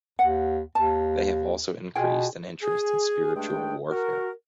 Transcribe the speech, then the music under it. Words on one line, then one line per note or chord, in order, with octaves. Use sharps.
They have also increased an interest in spiritual warfare.
D#2 F#5
D#2 A5
B2 F4 G#4 G5
G#4
G2 G#3 A3 D4 G#4 G5
F#4 A#4